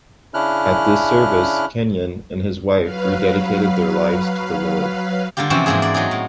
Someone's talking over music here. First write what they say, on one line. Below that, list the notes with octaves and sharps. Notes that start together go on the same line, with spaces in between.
At this service, Kenyon and his wife rededicated their lives to the Lord.
C#3 C#4 D4 E4 F6 F#6
F#3 B4 F5
D3 G3 A#3 F4 G4
C3 E3 F3 C4 C#4 F#4
G#2 E3 A#3 D4 G#4
D5
F#3 D#4 G#4
A2